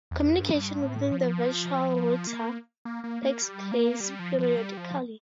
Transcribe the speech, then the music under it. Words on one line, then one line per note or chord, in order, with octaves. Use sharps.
Communication within the virtual router takes place periodically.
E2
F2
G2
G2
A2
F3
A#3
A#3
A#3
A#3
G3
A#3
G3
F3
F3
G3
F3